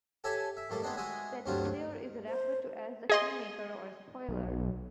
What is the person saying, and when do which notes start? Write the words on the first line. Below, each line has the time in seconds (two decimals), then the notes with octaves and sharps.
Said player is referred to as the "kingmaker" or "spoiler".
0.24 G4 A4 C#5 E5 G#5 A5
0.57 E5
0.70 A2 G3 A#3 A4
0.82 G#3 B3 C4 D4 D#4
0.97 G#3 F#4 D#5 E5 G#5
1.46 D2 G2 F#3 G3 C4 F4
2.28 C5
3.10 G#4 D#5 C6
4.29 B1